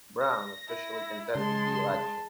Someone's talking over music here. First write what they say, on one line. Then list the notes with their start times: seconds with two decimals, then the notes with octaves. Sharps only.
Brown officially contested the election.
0.21 A#6
0.68 E4
1.35 C#3 G#3 A5 C6